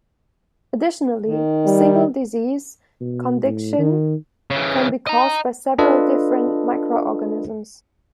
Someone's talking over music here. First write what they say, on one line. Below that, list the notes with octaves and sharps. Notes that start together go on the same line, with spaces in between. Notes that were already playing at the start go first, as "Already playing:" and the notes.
Additionally, a single disease condition can be caused by several different microorganisms.
D#3
G3
B2
A2
D#3
C#3 E3
D#5 A#5
D4 F4 A4 B4 D#5